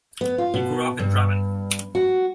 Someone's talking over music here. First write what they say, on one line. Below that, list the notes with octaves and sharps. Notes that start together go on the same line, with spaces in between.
He grew up in Drammen.
B3
F4
B2
G2
F#4